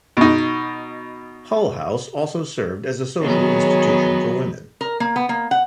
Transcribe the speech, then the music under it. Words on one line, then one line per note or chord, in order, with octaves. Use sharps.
Hull House also served as a social institution for women.
B2 D#4
D#3 F#3 B3 G#4 C#5
A#4
A#3
B3
A#3
F#5